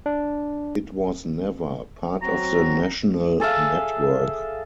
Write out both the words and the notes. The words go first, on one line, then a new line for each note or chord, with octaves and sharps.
It was never part of the national network.
D4
F#3 C4 F#4 A#5
G#4 A4 E5 F5